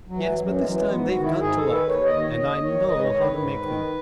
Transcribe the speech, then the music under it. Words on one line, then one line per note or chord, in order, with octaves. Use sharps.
"Yes, but this time they've got to like; and I know how to make them."
F#3
E3
F#3
F#2 F#3
E3
G#3
E3 F#3
G#3
G#2 B3
F#4
D#3
E4
G#2 G#4
A4
D#3
B4
D#2 C#5
D#5
D#3
C#5
D#2 D#5
D#3 C#5
G#2 D#5
B4
C#5
D#3
B4
G#2
D#3